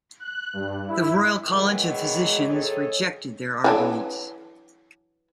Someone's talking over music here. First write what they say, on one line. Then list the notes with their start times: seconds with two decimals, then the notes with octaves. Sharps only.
The Royal College of Physicians rejected their argument.
0.20 F#6
0.53 G2
0.88 E4
1.45 B2 D#3 E3 F#3 G#3
2.48 A2 D#3 G#4 A4 C#5
3.64 E3 F#3 D4